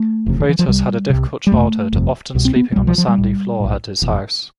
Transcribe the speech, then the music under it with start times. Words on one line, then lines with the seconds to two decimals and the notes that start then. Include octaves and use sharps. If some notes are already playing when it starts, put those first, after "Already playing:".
Freitas had a difficult childhood, often sleeping on a sandy floor at his house.
Already playing: A3
0.26 F1 E2 C3
0.40 D3
0.49 E3
0.59 F3
0.68 C2 C3 G3
1.10 C2 C3
1.47 G3
1.52 G1 F2 C3 A3
1.93 G1 F2 C3
2.35 C2 B2
2.45 C4
2.56 B3
2.72 A3
2.76 C2 B2 G3
2.87 F3
2.98 F3
3.08 G3
3.18 B1 A2
3.60 B1 A2
4.02 F1 E2 B2